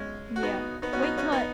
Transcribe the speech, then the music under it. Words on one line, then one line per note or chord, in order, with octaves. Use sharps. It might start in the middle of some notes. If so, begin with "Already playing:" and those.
Yeah, wait till it
Already playing: G#3 C#4
F#4
B3 D#4
B3 D#4
C#4 F#4
B3 D#4
C#4 F#4
B3 D#4